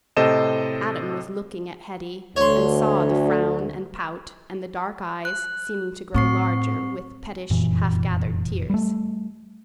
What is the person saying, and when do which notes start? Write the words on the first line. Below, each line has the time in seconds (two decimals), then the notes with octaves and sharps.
Adam was looking at Hetty, and saw the frown, and pout, and the dark eyes seeming to grow larger with pettish half-gathered tears.
0.17 A2 C3 A4 C5 D#5 E7
2.36 D2 C#5 C6
5.25 F#6
6.14 A2 C4 C#6 C7
7.50 F1 F#2 A#2 E3
8.70 G3 A3